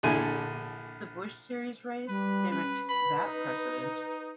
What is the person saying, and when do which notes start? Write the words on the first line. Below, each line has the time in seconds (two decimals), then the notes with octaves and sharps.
The Busch Series race mimicked that precedent.
0.03 A#1 D3 E4 G#5
2.08 G3 B4
2.50 C#4 B4
2.89 B4 B5
3.21 D#4